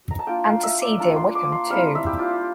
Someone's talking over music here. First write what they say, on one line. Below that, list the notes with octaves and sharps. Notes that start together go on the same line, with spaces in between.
And to see dear Wickham too!
A#5
A5
A#3 D4 F4 G5
F5
E5
D5
A#3 D4 F4
C6
D6
C6
G3 C4 E4 F5
E5
G4
F4